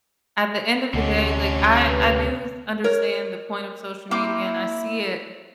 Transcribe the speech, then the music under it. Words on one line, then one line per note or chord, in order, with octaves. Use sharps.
at the end of the day, like, I I do s understand the point of social media, and I see it.
D2 C3 C#4 D4 D#5 F#5
B4
A#4 C#5
A#3 C4 E4 D6